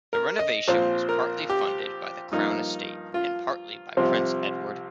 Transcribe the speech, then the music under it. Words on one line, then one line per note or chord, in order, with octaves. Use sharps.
The renovation was partly funded by the Crown Estate and partly by Prince Edward.
A#4
D#5
A#1 A#2 F3 C4 C5
A#4
G4
G2 F3 A#3 D#4
F4
C2 C3 F3 C4